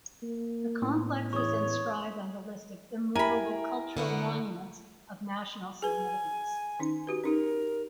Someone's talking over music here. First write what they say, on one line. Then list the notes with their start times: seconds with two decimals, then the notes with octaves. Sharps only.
The complex is inscribed on the list of Immovable Cultural Monuments of National Significance.
0.23 A#3
0.82 A2 B3 C#4
1.33 E2 C#5 C#6 D#6
3.15 E4 G4 A#4 G#5 B5
3.97 D3 B3 F#5
5.82 G#4 B4 G#5
6.79 D#3 C#4 D#4
7.07 F#4 G4 B4
7.24 C#4 D#4 G4 A#4